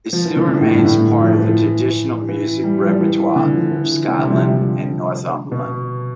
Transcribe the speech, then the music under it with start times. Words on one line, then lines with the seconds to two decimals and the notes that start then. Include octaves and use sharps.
It still remains part of the traditional music repertoire of Scotland and Northumberland.
0.13 F3
0.25 E3
0.36 D3
0.49 D3
0.61 A2
0.73 G2
0.85 A2
1.20 F3
1.39 E3
2.29 E3
2.64 G3
2.82 F3
3.00 E3
3.36 D3
3.54 F3
3.71 E3
4.08 D3
4.19 C3
4.27 G3
4.32 F3
4.44 F3
4.62 F3
4.80 D3
5.52 B2